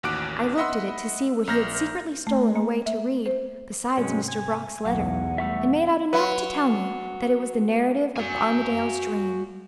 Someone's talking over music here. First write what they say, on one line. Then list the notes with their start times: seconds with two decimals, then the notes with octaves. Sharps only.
I looked at it to see what he had secretly stolen away to read, besides Mr. Brock's letter; and made out enough to tell me that it was the Narrative of Armadale's Dream.
0.03 A1 D#2 F#4 D6 F#6 D7
0.58 D#5 E5 F#5 B5 C6 E6
1.47 A#1 A#5 F6 G6 A#6
2.27 A3
2.56 A#3
2.86 E5
3.26 C5
3.98 G#2 C3 F#3 G#3 C#4
4.28 G#5
4.85 B1 E2 A2 F#3 F5 F#5
5.38 G3 A3 E5 C#6 E6
6.13 F#3 B4
8.17 F#4 G#5